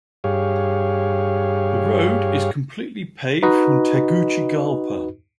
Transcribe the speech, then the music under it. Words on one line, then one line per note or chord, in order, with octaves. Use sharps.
The road is completely paved from Tegucigalpa.
G2 G4 G#4 C#5 F5
D#4 F#4 B4 D#5